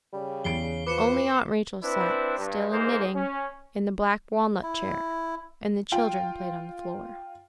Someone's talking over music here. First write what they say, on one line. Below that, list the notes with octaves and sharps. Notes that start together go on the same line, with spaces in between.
Only Aunt Rachel sat, still and knitting, in the black walnut chair; and the children played on the floor.
C#3 G3
E2 C7 D7 G7
F3 B4 D6 C#7 E7
C4 D4 E4 B4
G2
G#2 E3 A#3 G#4 C5
C#4
E4
F4 G5